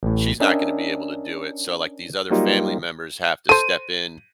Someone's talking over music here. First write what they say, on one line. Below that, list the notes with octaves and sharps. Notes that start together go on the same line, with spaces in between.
she's not gonna be able to do it, so, like, these other family members have to step in
A1 A2
C#4 D4 A#4 D#5 E5 G5
F#3 G3 A#3 D#4 F4 G4
A4 C5 D#7